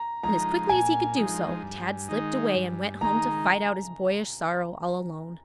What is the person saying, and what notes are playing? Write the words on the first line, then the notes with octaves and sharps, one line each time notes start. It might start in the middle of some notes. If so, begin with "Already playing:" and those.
And, as quickly as he could do so, Tad slipped away and went home to fight out his boyish sorrow all alone.
Already playing: A#5
F3 G#3 D#4 A#5
A#2 G#5
F3 G#3 D#4
G2
D#3 G#3 D#4
G2
D#3 G#3 D#4 A#5